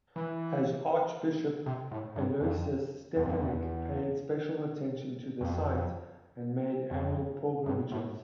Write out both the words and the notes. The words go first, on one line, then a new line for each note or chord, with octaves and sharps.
As archbishop, Aloysius Stepinac paid special attention to the site and made annual pilgrimages.
E3
C3
A2
G2
F2
E2
F2
E2
F2
F2
G2
A2